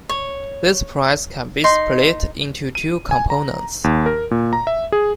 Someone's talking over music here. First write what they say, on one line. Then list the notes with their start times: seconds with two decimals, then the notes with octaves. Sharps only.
This price can be split into two components.
0.09 C#5
1.64 D#4 C6
2.75 D#7
3.11 G#5
3.30 A#5
3.84 D#2
4.06 A#4
4.31 A#2
4.53 A#5
4.67 E5
4.92 G#4